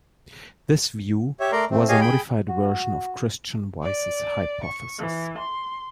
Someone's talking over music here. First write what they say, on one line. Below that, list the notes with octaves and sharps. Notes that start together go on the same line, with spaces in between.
This view was a modified version of Christian Weisse's hypothesis.
G4 C#5 E5
A3 A#4 D5 A#5 C6
A3 C4
G4 G#4 C#5 D#5 F5 G#5
G#4 G5 B5
F#4
D5
C#6
E3
C6